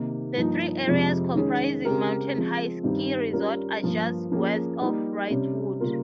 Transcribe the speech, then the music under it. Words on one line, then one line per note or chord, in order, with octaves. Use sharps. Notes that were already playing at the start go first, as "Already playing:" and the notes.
The three areas comprising Mountain High ski resort are just west of Wrightwood.
Already playing: C3 D#3 A#3 D#4
G2 F3 A#3 D#4
F2 C3 F3 G#3
D#3 G#3 C#4 G#4
C#3 G#3 C4 G4 A#4
F3 G#3 C4
G2 D#3 G3 C4 D#4
G3 C#4 F4 A#4
G2 F3 A#3
F3 A#3 C#4 G#4
G3 A#3 D#4 G4
C3 G3 C#4
C#3 G3 A#3 F4 A#4